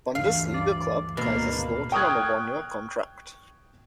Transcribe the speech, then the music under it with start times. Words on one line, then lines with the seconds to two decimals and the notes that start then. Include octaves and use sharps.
Bundesliga club Kaiserslautern on a one-year contract.
0.15 D2 G2 E3 F5
0.54 D5
1.17 G#1 D2 B2 A#3 D4 F5
1.92 G5 C#6 D#6 F6 F#6 G#6